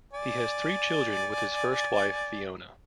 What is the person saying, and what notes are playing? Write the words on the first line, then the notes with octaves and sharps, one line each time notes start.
He has three children with his first wife Fiona.
D5 G#5